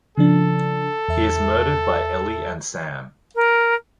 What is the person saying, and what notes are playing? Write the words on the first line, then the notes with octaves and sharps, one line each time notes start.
He is murdered by Ellie and Sam.
C#3 F3 D4 A4
E2 E5
A#4